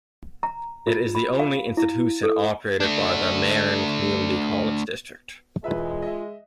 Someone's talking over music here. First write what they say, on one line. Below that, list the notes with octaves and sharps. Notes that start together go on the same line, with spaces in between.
It is the only institution operated by the Marin Community College District.
A#5
F4
B5
F5
E4
A4
A3 D4
E1 G#3 F4 B4 E5
D#5 E5